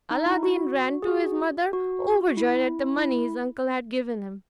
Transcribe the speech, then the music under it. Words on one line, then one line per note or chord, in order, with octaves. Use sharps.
Aladdin ran to his mother, overjoyed at the money his uncle had given him.
D#4
E4
F#4
G#4
F#4
F#4
E4
E4